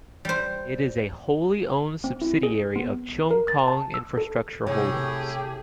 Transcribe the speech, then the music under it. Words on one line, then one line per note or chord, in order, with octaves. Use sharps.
It is a wholly owned subsidiary of Cheung Kong Infrastructure Holdings.
G3 C5
C4
E4
G#4
B3
A#4
A6
A5
E6
A4
A2 C3 G4 G#4 C#5